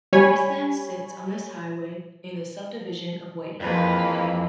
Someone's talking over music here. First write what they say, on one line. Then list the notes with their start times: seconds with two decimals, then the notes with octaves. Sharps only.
Graceland sits on this highway, in the subdivision of Whitehaven.
0.13 G3 C#5 G#5 B5
3.60 F2 E3 F3 G#3 A#3 B4